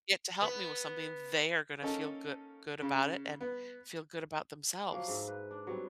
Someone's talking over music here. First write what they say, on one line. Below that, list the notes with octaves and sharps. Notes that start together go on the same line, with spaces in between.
get to help me with something, they are gonna feel goo good about it and feel good about themselves.
B3
A#3 C#4 D#4 A4
C#3
B3
F3 F#3 A#3
G#2 E5
B4
D4
F#3 G3 B3 C4